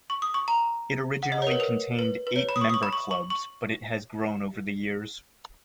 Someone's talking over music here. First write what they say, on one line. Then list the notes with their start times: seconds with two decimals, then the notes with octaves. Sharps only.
It originally contained eight member clubs, but it has grown over the years.
0.10 C#6
0.22 D#6
0.34 C#6
0.48 A#5
1.23 F#5
1.32 D#5
1.42 C#5
1.47 A#4
1.51 B4
1.60 A#4
1.99 B4
2.27 B4
2.36 C#5
2.49 B5
2.56 D#6
2.61 C#6
2.69 D#6
2.74 C#6
2.83 B5
2.93 C#6
3.11 C#6
3.30 C#6